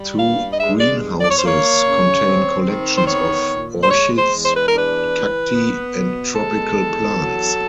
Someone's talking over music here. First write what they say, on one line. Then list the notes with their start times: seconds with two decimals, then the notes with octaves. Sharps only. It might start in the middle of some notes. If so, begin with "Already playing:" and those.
Two greenhouses contain collections of orchids, cacti, and tropical plants.
Already playing: G3
0.18 G2 F5
0.53 D#5
0.59 G#3 E5
0.81 D5
1.01 E2
1.21 D5
1.30 C#5
1.39 A#3 C5
1.48 C#5
1.83 C#3
2.24 C4
2.65 D#3
2.98 C5
3.06 B3 C#5
3.47 A#2
3.82 C5
3.89 G#3 C#5
4.16 C5
4.29 E2
4.44 C5
4.56 B4
4.67 D4 A#4
4.79 B4
5.12 E3
5.53 B3
5.95 B2
6.35 G#3 A4
6.77 E2
7.18 F#3